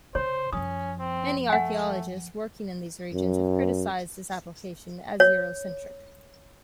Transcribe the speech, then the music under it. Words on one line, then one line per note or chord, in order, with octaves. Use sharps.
Many archaeologists working in these regions have criticized this application as eurocentric.
C#3 C5 C#5
F#2 F3 C#4 D#6
C4
A3 F#5 G#5
F#2
C#5